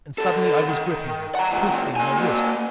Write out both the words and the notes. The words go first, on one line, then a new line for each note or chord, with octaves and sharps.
And suddenly I was gripping her, twisting her wrist.
C#3 A4
D#3
F#5 A#5
A#2 E3
A#3 G#5
A#3 F#4